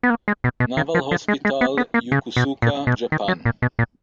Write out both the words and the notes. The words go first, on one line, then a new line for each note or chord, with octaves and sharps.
Naval Hospital, Yokosuka, Japan.
B3
A#3
G#3
B2
B2
D#3
F3
F3
G#3
G#3
B3
B3
A#3
C#3
B2
A#2
B2
D#3
F#3
A#2
B2
A#2